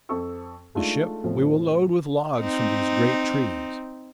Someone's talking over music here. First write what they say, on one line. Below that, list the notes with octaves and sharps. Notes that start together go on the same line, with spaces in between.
The ship we will load with logs from these great trees.
F2 C4 A4 C#6 E6
G#3 A3 D4 D#4 F4 A4
E2 A2 C3 F3 C4
C4 D#4